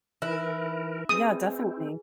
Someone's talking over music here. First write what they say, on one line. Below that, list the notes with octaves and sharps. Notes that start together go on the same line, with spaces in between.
Yeah, definitely.
E3 D#4 E4 A#4 F#6 A#6
C4 G#4 B4 D#6